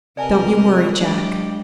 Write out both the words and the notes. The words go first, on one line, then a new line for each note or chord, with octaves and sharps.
"Don't you worry, Jack."
C3 A#4 B4 D5 D#5 G#5 A5
F#3 G#3 D4 G4 D5